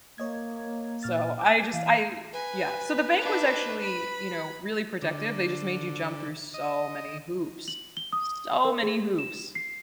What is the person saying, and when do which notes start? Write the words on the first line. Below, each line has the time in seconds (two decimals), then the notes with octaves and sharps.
So I just I Yeah, so the bank was actually, you know, really protective, they just made you jump through so many hoops. So many hoops.
0.18 A#3 C#5 D#5 G#6
1.03 A#2 F6 A6
1.39 D6 G6
1.73 E3 F5
2.33 B4 G#5
3.21 D4 D#4
3.82 B5
5.02 D3
6.54 D#5
7.68 F#7
7.97 G7
8.13 D#6
8.65 A#4
8.83 G#4
9.18 E7
9.55 C7